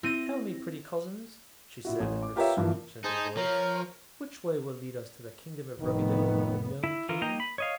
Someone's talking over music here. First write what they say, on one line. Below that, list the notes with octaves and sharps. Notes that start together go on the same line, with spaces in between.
"Tell me, pretty cousins," she said in her sweet, gentle voice, "which way will lead us to the Kingdom of Ruggedo, the Nome King?"
C4 E4 A#6 D#7
A#2 E4 F#4
A1
D6
F4 G4 A#4 B4 C#5 E5
G2 E3 F3 A#3
D#4 G#4 C5 A5
F3 A#4 C#5 A#5
F1 A2 D#3 B3
E4
E3 F4 A#4
A#3 D#4 D#5 G5 A#5
B5
C#5 D#5 F5